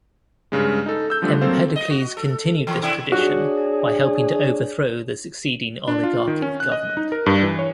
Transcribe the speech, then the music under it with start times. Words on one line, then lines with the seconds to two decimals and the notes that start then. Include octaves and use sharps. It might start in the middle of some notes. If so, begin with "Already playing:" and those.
Empedocles continued this tradition by helping to overthrow the succeeding oligarchic government.
0.52 G2 C#3 G#3
0.86 D#4 A4
1.10 E6 G6
1.22 D3 F3 G3 A3 D4
1.41 F#3 A#3 C4 A4 C5 F5
1.76 D#5
1.90 F#4
2.17 A4
2.67 E3 F3 A#3
2.82 C3 E4
3.12 D4 F#4 G#4 C#5
5.88 D4
6.03 F4
6.27 D#3
6.42 C#4
6.60 F#6
6.72 D#5
6.97 D#4
7.12 A#4
7.26 G2
7.43 E3
7.59 C#5